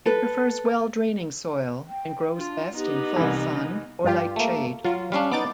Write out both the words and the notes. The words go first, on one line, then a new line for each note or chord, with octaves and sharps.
It prefers well-draining soil, and grows best in full sun or light shade.
A4 B4
G5
D4 F4
B3 D#4 G4
C2 E3
G2 F4 G4
A3 A#3
F#3 F4
G3 C#4 D4 F5
B3 D#4 D6 A6